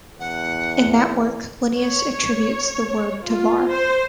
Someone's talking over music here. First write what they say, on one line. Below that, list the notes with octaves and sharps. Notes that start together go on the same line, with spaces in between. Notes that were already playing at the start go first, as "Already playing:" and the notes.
In that work, Linnaeus attributes the word to Varr.
E2 F#5
C#5
F4
C5